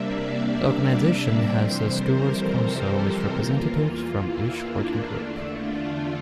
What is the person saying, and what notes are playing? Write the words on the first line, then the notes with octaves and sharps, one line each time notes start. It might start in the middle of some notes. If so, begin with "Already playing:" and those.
The organization has a stewards' council with representatives from each working group.
Already playing: C3 G3 A#3 D4 E5
D5
E5
F2 C3 E3 G3 C5
A#4
A4
G4
E2 E3 A#3 F4
E4
D4
E2 D3 A3 D4
F4